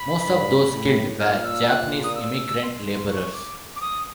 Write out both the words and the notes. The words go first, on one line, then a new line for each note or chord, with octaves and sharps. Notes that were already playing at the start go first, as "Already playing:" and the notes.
Most of those killed were Japanese immigrant laborers.
Already playing: B5
G2
A2
A#2 F6
E6
F#6
D#6
E6
C6
C#6
D6
D6
D#6